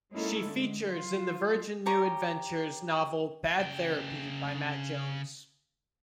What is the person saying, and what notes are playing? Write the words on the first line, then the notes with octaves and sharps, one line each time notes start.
She features in the Virgin New Adventures novel "Bad Therapy" by Matt Jones.
G#3 A#3 C#4 D#4 E4 A4
D3 G#3
F#3 F4
G4 C#5 A#5 D6
C#3 G5